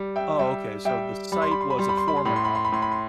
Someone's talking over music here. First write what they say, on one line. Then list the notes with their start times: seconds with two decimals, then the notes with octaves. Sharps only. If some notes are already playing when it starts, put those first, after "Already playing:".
Oh, okay, so the site was a former ho
Already playing: G3
0.16 E5 G5
0.39 G3 E5 G5
0.85 G3 E5 G5
1.32 G3 B5
1.42 C6
1.51 B5
1.61 C6
1.70 B5
1.78 G3 C6
1.89 B5
1.97 C6
2.08 B5
2.16 C6
2.25 A2 B5
2.36 C6
2.45 B5
2.55 C6
2.65 B5
2.72 A2 C6
2.82 B5
2.92 C6